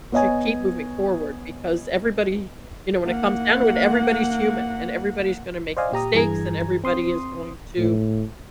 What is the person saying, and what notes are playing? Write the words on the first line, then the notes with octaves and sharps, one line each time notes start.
to keep moving forward because everybody you know, when it comes down to it, everybody's human, and everybody's gonna make mistakes, and everybody is going to
B3 C#5 D#5 G#5
A#3 F#5
C5 D5 D#5 F5 G#5
A#2 G4 A#5 D#6
G2 E3 G#4 A#5 G#6
C4 C6 D#6
A2